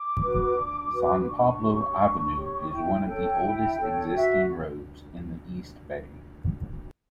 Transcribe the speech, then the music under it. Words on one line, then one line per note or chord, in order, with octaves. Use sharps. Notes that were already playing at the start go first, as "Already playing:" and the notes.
San Pablo Avenue is one of the oldest existing roads in the East Bay.
Already playing: D6
F#4 B4
D4
F#4 B4
D4 C#6
G4 C#5
D4
G4 C#5
E4 G5
A4 C#5 G5
E4
A4 C#5
F#4 E5